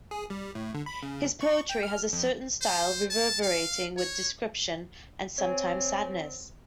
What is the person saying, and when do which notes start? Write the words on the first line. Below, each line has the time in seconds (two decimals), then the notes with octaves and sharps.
His poetry has a certain style reverberating with description and sometimes sadness.
0.11 G#4
0.30 G3
0.55 A2
0.74 D3
0.86 B5
1.03 C#3
1.41 C#6
1.69 G5
1.83 F6
2.13 F2
2.61 C5
3.10 A5
3.42 F5
3.97 C#5
5.38 C4 C#5 G#5